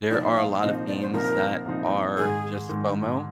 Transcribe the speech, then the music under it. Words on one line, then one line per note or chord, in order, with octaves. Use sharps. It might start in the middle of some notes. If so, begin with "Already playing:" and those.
there are a lot of games that are, just, FOMO,
C2 A#2 F3 C4 D#4 D5
F5
C2 A#2 F3 C4 D#4 D#5
D5
C5
C2 A#2 F3 C4 D#4 A#4
C2 A#2 F3 C4 D#4
G#2 D#3 G#3 G#4
G#2 D#3 G#3